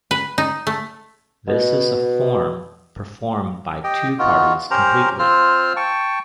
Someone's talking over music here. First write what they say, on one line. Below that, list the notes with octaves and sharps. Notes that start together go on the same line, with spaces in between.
This is a form performed by two parties competently.
B4
D#4
A3
B2
G4 D#5 G5
B3 D#4 F4 F#4
C#4 G4 A#4 C5 A#5
C4 F4 C5 F6
G5 A5 C#6